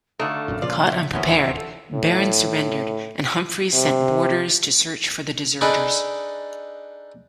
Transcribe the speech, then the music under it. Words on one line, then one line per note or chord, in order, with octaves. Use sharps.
Caught unprepared, Barron surrendered and Humphreys sent boarders to search for the deserters.
D3 A3 D#4 F#4 F5
G#1 F#2 A#2
A#2 C#3 F3 F4 D5
E5
D1 D#2 F3 F#3 B3 C#4 E5
A4
A2
C3
D4 D#4 G#4 A4 B4 D5